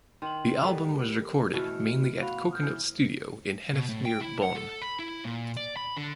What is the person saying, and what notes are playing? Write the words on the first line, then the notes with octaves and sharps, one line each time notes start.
The album was recorded mainly at Coconut Studio in Hennef near Bonn.
D#3 C6 F#7
G3 G#3 B3 G4 A4 A#4
B2 E3 A3 F6
F#4 F5 B5 F7
D#6 F6 G6
E3
B2
A2
G5
E4
F#5
A4
B5
E4
A#2
D5
B5
D3